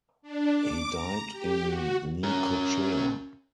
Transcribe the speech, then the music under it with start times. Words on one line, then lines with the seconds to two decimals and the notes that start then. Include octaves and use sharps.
He died in Necochea.
0.22 D4
0.55 D6
0.92 A#5
1.32 G4
1.63 F#4
2.24 C#4 A#4